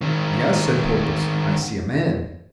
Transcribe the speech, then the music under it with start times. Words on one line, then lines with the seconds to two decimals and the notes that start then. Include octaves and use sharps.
"Yes," said Porthos; "I see a man."
0.01 D#3 C4